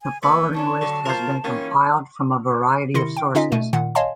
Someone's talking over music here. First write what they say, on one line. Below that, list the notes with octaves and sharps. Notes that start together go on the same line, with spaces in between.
The following list has been compiled from a variety of sources.
G#5
A#3 B3 E6
E3 C#4 D4 A5 C#6
D3 F#3
F4 A#4 C5
D#3 E3 A#3 C#4 F4
C3 D#3 E4 C6 A#6 C#7
G5
D3 C#4 D#4 F4 D#5 B6
B2 A3 D#7
A#2 D#3 F#5
C#5 D#5 F5 G#5 A5 C6